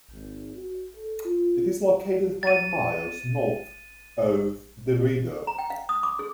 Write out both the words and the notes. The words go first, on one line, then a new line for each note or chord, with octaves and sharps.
It is located five miles north of DeRidder.
G#1
F#4
A4
F4
A6 D#7
A#5
G5
F5
D#6
D6
G#4